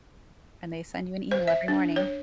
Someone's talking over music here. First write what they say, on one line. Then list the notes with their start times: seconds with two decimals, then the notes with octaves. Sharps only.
and they send you an email every morning.
1.31 C5
1.47 E5
1.68 D4
1.96 C#5